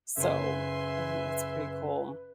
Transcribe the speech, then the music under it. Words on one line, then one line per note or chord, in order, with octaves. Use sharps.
so, I think that's pretty cool.
F#1 B4 E5 G#5 C6